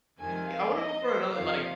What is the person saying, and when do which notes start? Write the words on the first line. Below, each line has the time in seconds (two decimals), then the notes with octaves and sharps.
I I wanna go for another, like
0.19 F2 C3 D#3 G#5
0.48 F5
0.76 D#5
1.04 C5
1.34 F2 C3 F3 F5